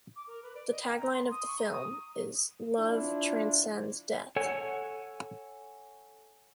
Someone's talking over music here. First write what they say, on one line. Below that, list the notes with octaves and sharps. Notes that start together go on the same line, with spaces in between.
The tagline of the film is "Love Transcends Death".
D6
A#4
B4
D5
D#5
G5
A#5
C6
D#6
C#6
A#5
D#6
F3 D4 E4 F4
A4 C#5 F#5 G#5